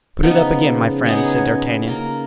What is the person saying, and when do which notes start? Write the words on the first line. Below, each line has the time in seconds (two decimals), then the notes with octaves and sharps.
"Put it up again, my friend," said D'Artagnan.
0.23 C#3 F3 B3 D#4
1.05 F#3 B3 D#4 G#4
1.87 C#3 A#3 F4 A#4